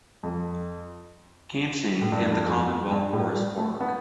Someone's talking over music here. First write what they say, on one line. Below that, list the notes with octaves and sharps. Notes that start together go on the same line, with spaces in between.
Kanching, and the Commonwealth Forest Park.
F2
A2
G2
F2
G2
F2
G2
A2
G3
A3
B3